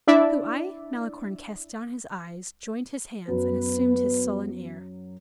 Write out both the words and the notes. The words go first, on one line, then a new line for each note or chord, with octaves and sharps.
"Who, I?" Malicorne cast down his eyes, joined his hands, and assumed his sullen air.
D4 E4 D5 E5
F#2 F#3 B3 B4